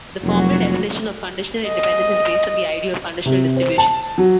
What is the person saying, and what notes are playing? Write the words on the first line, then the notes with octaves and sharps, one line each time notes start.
The formal definition of conditional independence is based on the idea of conditional distributions.
F1 F#3 A#3 F#4
D#5
C3
C5
A5
F#3